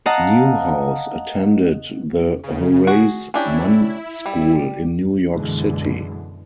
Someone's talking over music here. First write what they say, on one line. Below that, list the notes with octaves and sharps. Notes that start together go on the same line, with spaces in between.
Newhouse attended the Horace Mann School in New York City.
D#5 F5 F#5 A5 A#5
C#3
F#4 G#4
C#4 D4 E4 G4
G3
F#2 B2 D3 E3 G#3